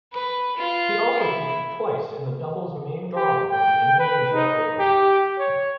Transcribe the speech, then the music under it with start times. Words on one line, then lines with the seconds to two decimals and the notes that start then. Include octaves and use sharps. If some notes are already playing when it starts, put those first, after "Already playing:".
He also featured twice in the doubles main draw of the Indonesia Open.
0.13 B4
0.57 F4
1.17 E4
3.16 G4
3.50 G5
4.00 B4
4.34 D#4
4.79 G4
5.39 C#5